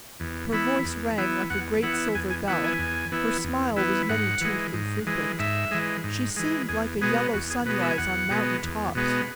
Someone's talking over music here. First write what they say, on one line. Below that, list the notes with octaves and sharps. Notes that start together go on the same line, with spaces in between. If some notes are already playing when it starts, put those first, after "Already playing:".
Her voice rang like a great silver bell; her smile was many-toothed and frequent; she seemed like a yellow sunrise on mountain tops.
E2
E3 B3 E4
E2
E3 B3 E4
E2 F#5
E3 B3 E4 F#5
E2 G#5
G#5
E3 B3 E4 F#5
G#5
E2
E3 B3 E4
E2
E3 B3 E4
G#2 F#5
E3 G#3
G#2
E3 G#3
G#2 E5
E3 G#3
G#2
E3 G#3
E2 G#4
B2 G#3 B3 G#4
E2 F#4
G#4
B2 G#3 B3 B4
E5
G#5
E2 F#5
B2 G#3 B3
E2
B2 G#3 B3